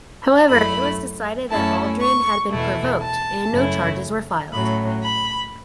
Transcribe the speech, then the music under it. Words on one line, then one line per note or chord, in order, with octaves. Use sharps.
However, it was decided that Aldrin had been provoked and no charges were filed.
F#2 F#3 A3 E4 B5
F#2 F#3 A3 C#4 E4 A5
C#6
E2 B2 A3 E4
A5
F#2 C#3 A3 C#4 E4
A2 F#3 C#4 B5
B5